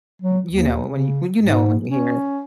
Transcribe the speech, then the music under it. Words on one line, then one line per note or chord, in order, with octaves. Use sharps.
You know, when you well, you know it when you hear it.
F#3
D#2
C#3
G#2
C#4